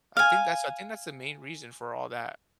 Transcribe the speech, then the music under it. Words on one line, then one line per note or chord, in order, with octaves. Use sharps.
I think that's I think that's the main reason for all that.
F5 G#5